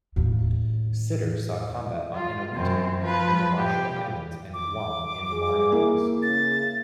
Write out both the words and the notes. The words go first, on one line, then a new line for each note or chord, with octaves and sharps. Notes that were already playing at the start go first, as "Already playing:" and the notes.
Sitter saw combat on Eniwetok in the Marshall Islands, and Guam in the Marianas.
D#2 A2
F4
F#2 C4
F3 B4
G4
D6
G#4
A#3 E4
C#3 A6